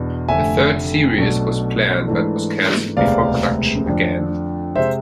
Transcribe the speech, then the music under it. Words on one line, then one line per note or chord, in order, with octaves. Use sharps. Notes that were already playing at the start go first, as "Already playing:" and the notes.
A third series was planned, but was cancelled before production began.
Already playing: E2 B2 B3 D4
F1 F2 D3 A3 E5 G#5
B1 B2 A3 D4
G#2 E3 A3 D4
E1 D2 C3 G#3 B3 D5 F5
F2 D3 F3 A3 D4
C3 G#3 C5 E5